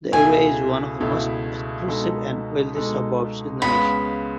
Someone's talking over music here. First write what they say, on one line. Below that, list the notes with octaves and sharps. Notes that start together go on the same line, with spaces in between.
The area is one of the most exclusive and wealthy suburbs in the nation.
C#2 B2 A3 E4 G#5
C#2 B2 A3 E4
B2 G#3 D#4 A4
B2 G#3 D#4 A4
C#2 C#3 G#3 B3 B5